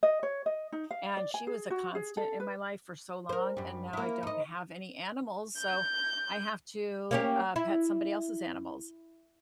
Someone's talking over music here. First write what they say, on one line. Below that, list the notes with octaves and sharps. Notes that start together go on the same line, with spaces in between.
and she was a constant in my life for so long, and now I don't have any animals, so I have to, uh, pet somebody else's animals.
D#5
C#5
D#5
D#4
F5
D5
G#5
G#4
F#4
G#4
A4
B4
A#4 C5
F#2 G3
A#3 E4
D#4 D#5
G6
A#3 C#4 G4
E4